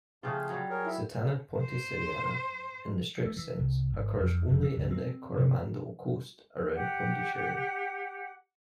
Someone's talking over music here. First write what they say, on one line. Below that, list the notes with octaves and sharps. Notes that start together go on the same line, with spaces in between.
"Sitana ponticeriana" in the strict sense occurs only in the Coromandel coast around Pondicherry.
C#3 F3 A3 F4 G4 G#4
F#3 G3
G#4 A#4 C#5
E4
C5
A3
E3
C2
G#1
F2
F1
E3
C#2
C4
C3
G4 F#5